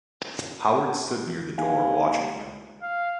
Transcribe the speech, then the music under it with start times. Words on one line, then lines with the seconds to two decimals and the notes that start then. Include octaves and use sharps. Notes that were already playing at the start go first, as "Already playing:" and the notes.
Howard stood near the door watching him.
1.58 D#2 F5 G#5
2.82 F5